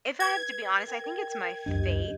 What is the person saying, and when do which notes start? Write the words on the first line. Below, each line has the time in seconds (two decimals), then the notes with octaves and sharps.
if I have to be honest, I think it's my faith.
0.20 B4 G#6
0.88 A#4 G5
1.66 C#2 F#2 D4 G4 D#5